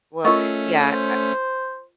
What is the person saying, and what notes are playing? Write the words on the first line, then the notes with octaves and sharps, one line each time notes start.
Well, yeah. Eh,
A3 C#4 F4 A#4 D#5 C#6
C5